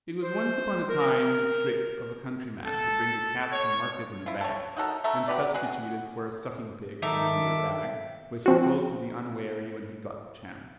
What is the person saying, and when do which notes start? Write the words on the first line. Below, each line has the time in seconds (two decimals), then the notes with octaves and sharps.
It was once upon a time the trick of a countryman to bring a Cat to market in a bag, and substitute it for a sucking pig in another bag, which he sold to the unwary when he got the chance.
0.23 C5
0.90 A#4
2.66 A4
3.51 C#5
4.26 E4 F4
4.41 A4 C#5
4.77 D#4 F#4 A4 A#4
5.04 A3 A4 A#5
5.28 F#4 G4 B4 D5
5.54 F#4 G#4 F#5
7.02 D#3 F#3 D#4 A4 E5 A#5 D6
8.46 F3 C4 F#4